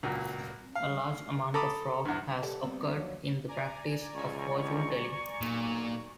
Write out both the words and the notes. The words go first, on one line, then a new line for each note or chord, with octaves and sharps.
A large amount of fraud has occurred in the practice of fortune-telling.
C#2 A#2 F#3
F5
A4 A#5 B5 D6 D#6
E2 G2
G4 A4 B4 D5 F#5 A5
G3 B3 C4
D#2 F3 F#3 C#5
D5 G#5 A#5
C#2 C#6
B1 A#2